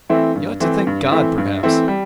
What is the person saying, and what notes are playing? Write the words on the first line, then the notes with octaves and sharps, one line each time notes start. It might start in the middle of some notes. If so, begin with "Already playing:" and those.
You ought to thank God, perhaps.
E3 A3 C4 E4
G2
E3 A3 C4 E4
G2
E3 A3 C4 E4
G2
E3 A3 C4 E4
G3